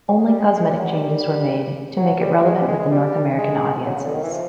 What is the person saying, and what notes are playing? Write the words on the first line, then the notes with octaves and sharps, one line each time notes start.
Only cosmetic changes were made to make it relevant with the North American audiences.
F#3
G#3
G3
G#3
G#3
G3
F#3
G3
G3
F#3
G3
G#3
G3
G#3
G#3
G3
G#3
F#3
C#3
D3
D#3
E3
F3